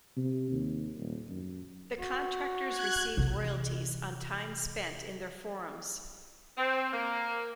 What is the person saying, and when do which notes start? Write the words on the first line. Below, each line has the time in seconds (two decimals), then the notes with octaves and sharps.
The contractors received royalties on time spent in their forums.
0.16 C3
0.52 D#2
0.97 D#1
1.30 F#2
1.99 F#4
2.68 F#6 G#6
3.17 C3 E3
6.58 C4
6.92 A#3